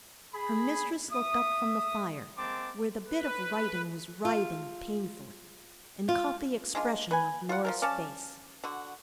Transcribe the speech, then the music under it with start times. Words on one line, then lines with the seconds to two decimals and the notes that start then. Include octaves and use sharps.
Her mistress looked up from the fire, where the bit of writing was writhing painfully, and caught the expression of Norah's face.
0.34 G#4 B5
1.12 E5 D#6
2.38 G#3 A#3 C4 A5 D6
3.08 B4
4.25 F4
6.09 F4
6.75 G#3 D4 F4
7.11 B4 G#5
7.49 F4 F#5
7.65 F3 D4 A#4
7.82 C#4 D5 F5 A5
8.64 D3 F#4